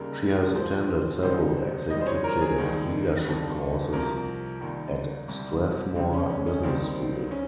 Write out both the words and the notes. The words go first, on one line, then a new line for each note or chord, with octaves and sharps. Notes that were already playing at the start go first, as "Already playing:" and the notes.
She has attended several executive leadership courses at Strathmore Business School.
Already playing: D#2 C#3 G3 A#4
G#2 F3 C5
C#2 C3 D#3 G3 C5
G#2 G3 D#5
C5
C#5
A#4
G#4
D#2 D#3 G3
F2 D#3 G3
C2 C3 F3 A#4
D#2 D#3 G3
C2 C3 G3
C#2 C#3 G3 C4
C#4
C#4
C#4
D#2 D#3 G3 C4
C#4